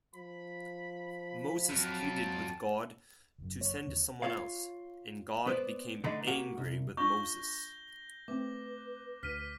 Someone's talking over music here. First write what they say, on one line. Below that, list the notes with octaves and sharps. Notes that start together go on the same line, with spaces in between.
Moses pleaded with God to send someone else, and God became angry with Moses.
F3 B5
F2 F#3 A5
F#1 F#2
C#5
D#2 D3 A#3
F4 C#5 F5
B3 B4 C5 D5
D3 A3 D4 D#4 B5
A#3 F#4 G4 F#5
C2
D4 F4 C#6 G6 A#6 G7
A3 C4 B4 D6
D2 F6 B6 D#7